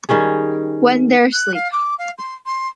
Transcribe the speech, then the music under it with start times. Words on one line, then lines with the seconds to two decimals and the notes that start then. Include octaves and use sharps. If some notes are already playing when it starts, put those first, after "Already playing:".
When They're Asleep.
0.09 D#3 G3 C#4 G#4
1.33 F#6
1.54 F5
1.72 D6
1.98 F5
2.18 C6
2.46 C6